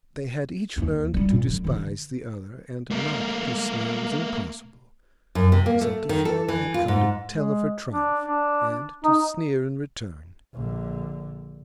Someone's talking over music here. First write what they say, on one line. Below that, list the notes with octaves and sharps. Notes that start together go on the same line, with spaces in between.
They had each learned to despise the other, and not to sneer was impossible. Miss Altifiorla had come to tell of her triumph, and to sneer in return.
D#2 D3
G3 E4
A#2 C4
D3 F#3
D3 E3
A3 A#3
F#2
C3
A#3
A3
D#3
A4
E3
F4
G#2
G#3
D4
D4
D#4
A#1 D3